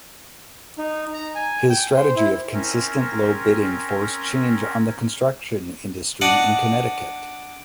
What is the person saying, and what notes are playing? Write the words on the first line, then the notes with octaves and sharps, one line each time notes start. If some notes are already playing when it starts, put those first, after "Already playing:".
His strategy of consistent low bidding forced change on the construction industry in Connecticut.
D#4
A#5
G#5
G5
C5
E4
C4 C#4 A#4
D4 D5 D#5 F#5